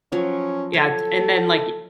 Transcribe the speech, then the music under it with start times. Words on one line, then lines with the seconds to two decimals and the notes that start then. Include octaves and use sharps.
Yeah d and then, like
0.12 F3 F#3 C#4
0.74 A4 C#5